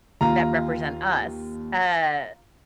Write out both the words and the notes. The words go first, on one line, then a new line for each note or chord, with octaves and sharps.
that represent us. Uh,
D#2 F4 A#5